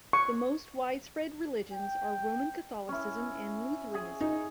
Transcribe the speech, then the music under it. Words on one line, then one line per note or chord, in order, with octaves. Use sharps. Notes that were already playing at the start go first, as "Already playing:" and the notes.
The most widespread religions are Roman Catholicism and Lutheranism.
C#6
G5
C#4 E4
G#4
D#4